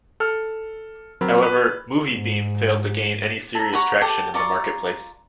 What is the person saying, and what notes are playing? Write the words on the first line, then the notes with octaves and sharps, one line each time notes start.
However, MovieBeam failed to gain any serious traction in the marketplace.
A4 F6
F#3 C4 A#4 B5
B4
G#2
A4 A#5
C#5 F#5 A#5 B5
G4 A4 F#5
F4 D5 A#5 C#6